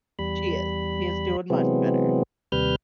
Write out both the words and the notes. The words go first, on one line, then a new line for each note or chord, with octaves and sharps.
She is, she is doing much better.
E2 G3 B5
C3 E3 F#3 G#3 B3 C4
D#2 C3 G3 B4 F6 G6